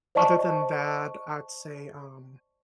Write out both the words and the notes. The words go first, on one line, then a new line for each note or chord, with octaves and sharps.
other than that, I'd say, um,
C5 D5 D#5 A5 C#6